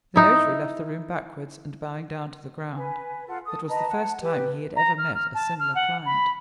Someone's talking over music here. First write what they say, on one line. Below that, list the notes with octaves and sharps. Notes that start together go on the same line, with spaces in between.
The notary left the room backwards, and bowing down to the ground; it was the first time he had ever met a similar client.
D#4 E4
B4 G#5
F4 A4 F#5
A4 D#6
B4 D#5 A5 A#5
F#5
G4 B4
A#5
F6
F6
A5
F6
F#5
B5